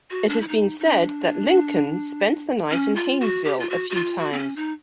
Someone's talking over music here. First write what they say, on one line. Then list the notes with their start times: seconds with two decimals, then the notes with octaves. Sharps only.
It has been said that Lincoln spent the night in Hainesville a few times.
0.11 F#4
0.29 D4
0.41 E4
0.48 D#4
0.80 D#4
0.85 D4
2.71 C#4
2.96 F4
3.20 F#4
3.45 G4
3.60 F4
3.70 F#4
3.90 F#4
3.95 F4
4.19 F#4
4.33 C4
4.38 C#4
4.56 D#4